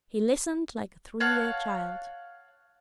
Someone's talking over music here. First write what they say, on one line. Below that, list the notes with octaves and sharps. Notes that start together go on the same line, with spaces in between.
"He listened like a three-year child."
C#5 F5 F#5 A5